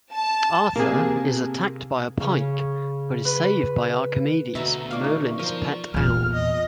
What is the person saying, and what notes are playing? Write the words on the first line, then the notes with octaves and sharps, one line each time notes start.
Arthur is attacked by a pike but is saved by Archimedes, Merlin's pet owl.
A5
C3 A#3 G#4
C#3
B4
D2 B2 A4 E5 A#5
F4 D5 F5 C#6 D6
D#4
F3 A#4 C5
E2 A#2 F6
D#5